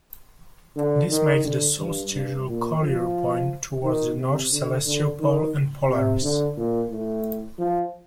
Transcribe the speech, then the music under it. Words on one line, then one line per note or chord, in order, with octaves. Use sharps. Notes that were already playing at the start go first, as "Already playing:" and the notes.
This makes the solstitial colure point towards the North Celestial Pole and Polaris.
D3
D#3
D3
G2
G2
A#2
F3
D#3
C3
D3
D3
D#3
C3
D3
A#2
A2
F3